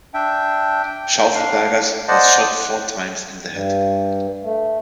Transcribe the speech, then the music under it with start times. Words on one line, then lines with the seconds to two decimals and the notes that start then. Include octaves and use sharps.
Schaufelberger's was shot four times in the head.
0.14 D4 E5 G5
0.85 G5
1.34 D4 F5
2.08 C5 D5 D#5 F#5 A5
3.51 G2
4.43 A3